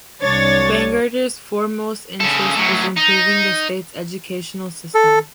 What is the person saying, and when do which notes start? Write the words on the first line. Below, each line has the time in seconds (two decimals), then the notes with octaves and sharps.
Bangerter's "foremost interest was improving the state's educational system".
0.22 C2 D4 C#5 A6
2.21 C#3 A4
2.57 A2 F#3
2.96 D#4
4.95 A4